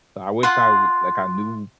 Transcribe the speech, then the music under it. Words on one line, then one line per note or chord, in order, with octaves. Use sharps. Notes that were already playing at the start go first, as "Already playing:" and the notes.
So, I wish I would like, I knew
F4 F#5 C6